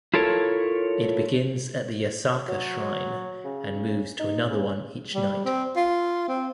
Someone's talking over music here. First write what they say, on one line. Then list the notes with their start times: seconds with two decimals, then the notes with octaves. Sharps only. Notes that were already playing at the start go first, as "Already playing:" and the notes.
It begins at the Yasaka Shrine and moves to another one each night.
0.14 E4 F4 A4 A#4 C#5
2.48 F#3
3.44 C#3
4.19 D#4
4.50 C#3
5.14 G3
5.45 C4
5.76 F4
6.28 C4